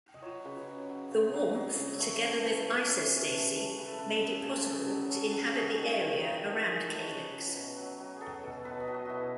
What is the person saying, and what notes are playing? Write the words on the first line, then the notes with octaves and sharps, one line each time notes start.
The warmth together with isostasy made it possible to inhabit the area around Kalix.
D#5
F#3 C#5
C#3 B4
F#3
F#3
C#3
F#3
F#3
C#3
A3 C#5
E3
E3
C#4
E3
C#4
A3
E3
C#3 B4
A4
C#3 B4
C#3
C#3
C#3 A4
F#3
C#4
F#3
A3 G#4
F#4
D#3 G#4
D#3
D#3 D#4
E4
A3 F#4
D#3 G#4
A3 B4
C#5
C#4 B4
F#3
B2
F#3
F#3
F#3 G#4 A4
B2
B2 B4
D#5
F#3
D#5
B2 E4 F#4